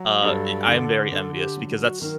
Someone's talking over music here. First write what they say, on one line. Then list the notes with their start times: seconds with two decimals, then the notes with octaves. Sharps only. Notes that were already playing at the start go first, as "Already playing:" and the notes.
uh, i I am very envious because that's
Already playing: F#3
0.23 G2 A4
0.67 D3
1.11 D3 A4
1.35 G4
1.57 F#3
1.79 F#4
2.01 D#3 A#4